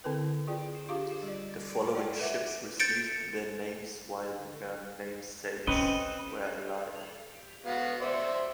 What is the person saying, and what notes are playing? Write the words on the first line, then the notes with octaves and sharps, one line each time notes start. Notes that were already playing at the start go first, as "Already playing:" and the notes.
The following ships received their names while their namesakes were alive.
D3 C4 E4 A#4 B4 G5
F4 G#4 D5 G5
D4 F4 G4 G#4 F5 D6
G3 D5
F#4 A4 D5 F#5 G5
B4 E5 F#5 D6
G6 A6 C#7 D7
C4 C#4 B4 D#5
B3 F#4 F5
C5 D5 E5